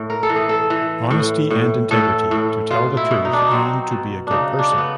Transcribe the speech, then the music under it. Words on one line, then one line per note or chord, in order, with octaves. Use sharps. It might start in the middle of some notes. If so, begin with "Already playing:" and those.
Honesty and Integrity: To tell the truth and be a good person.
Already playing: A2
A#4
A4
E3
G#4
A4
E3
A2
A2
A2 A4
A2
B2 F4
E4
B2
D#4
D4
D#4
F#3 C4
B2
C#3 D4 D#4
D4
C#3
B3